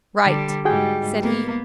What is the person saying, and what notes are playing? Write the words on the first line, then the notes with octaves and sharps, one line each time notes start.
"Write," said he.
D3 G3
G#2 G3 F#4 G#4 G5
A#3 B3